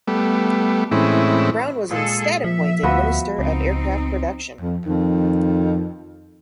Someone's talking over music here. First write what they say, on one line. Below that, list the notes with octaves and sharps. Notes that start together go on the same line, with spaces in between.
Brown was instead appointed Minister of Aircraft Production.
G3 A3 B3
A2 E3 G#3 C4 C#4 E4
A#2 G#3 G#4 A4
F3 E5
D2 F3 B3 F#4
C#2 C4 D#4
F2
F2 D#3